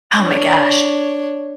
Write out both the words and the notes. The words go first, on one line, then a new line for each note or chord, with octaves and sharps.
Oh my gosh.
D4 C#5